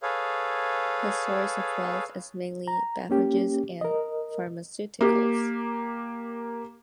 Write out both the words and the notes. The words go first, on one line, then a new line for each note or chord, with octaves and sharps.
His source of wealth is mainly beverages and pharmaceuticals.
G#4 A4 B4 C#5 F5
A#5
A#3 C#4 G4
A#4 D#5
A#3 G4